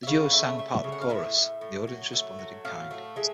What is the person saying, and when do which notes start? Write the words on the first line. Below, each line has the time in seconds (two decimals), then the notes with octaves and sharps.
The duo sang part of the chorus, and the audience responded in kind.
0.03 E5
0.07 C#3 F5
0.33 A3 E5
0.58 A3 E5
0.84 C#3
0.92 F#5
1.01 F5
1.10 A2 E5
1.36 A2
1.61 A2
1.87 F#3
2.13 A3
2.39 F#3
2.65 A2 F5
2.91 A3
3.16 G#3 E5